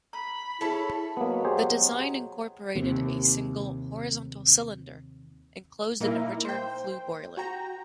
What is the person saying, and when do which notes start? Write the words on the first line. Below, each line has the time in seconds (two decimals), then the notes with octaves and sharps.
The design incorporated a single horizontal cylinder enclosed in a return-flue boiler.
0.13 A#5 B5
0.61 E4 G#4 A4 C#5 B6
1.17 B2 F#3 A#3 B3
1.45 G4 G#4 C5
2.75 D#2 C3
6.00 A#2 A#3 D#4 E4 A#4
6.45 C5 G5
7.37 F#4 G5 A#5